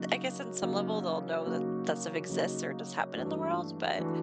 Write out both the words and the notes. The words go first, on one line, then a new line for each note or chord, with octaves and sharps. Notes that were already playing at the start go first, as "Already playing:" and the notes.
I guess on some level, they'll know that, that stuff exists or does happen in the world, but,
Already playing: C#3 F#3 A#3 D#4 F#4
C#3 F#3 A#3 D#4 F#4
C#3 F#3 A#3 D#4 F#4
C#3 F#3 A#3 D#4 F#4
G2 E3 A3 D4 F#4
E3 A3 D4 F#4